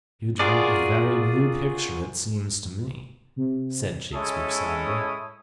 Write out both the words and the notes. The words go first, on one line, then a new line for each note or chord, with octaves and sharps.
"You draw a very blue picture, it seems to me," said Shakespeare, sadly.
F4 F#4 G#4 A#4 D5
C3
G#3 C#4 E4 A4 C#5 D#6